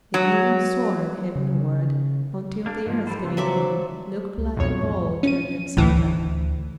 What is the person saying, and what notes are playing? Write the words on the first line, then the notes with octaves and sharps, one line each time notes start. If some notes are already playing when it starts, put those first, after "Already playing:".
The Eagle soared heavenward, until the earth beneath him looked like a bowl turned upside down.
F#3
C#3
A#3 D4
G#2 D#3 F3
G3 A4 C5 B5
C#3 E3 F4 C5 A#5
F#3 C5 D5 E5 A5 D6
C#2
B1 F2 B2 C#5
A2
C#4 D#7
D2 A2 E3